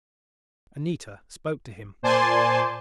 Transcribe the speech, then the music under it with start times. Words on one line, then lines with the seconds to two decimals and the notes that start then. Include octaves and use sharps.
Anita spoke to him.
2.03 A#2 C5 D5 G#5 A5 C6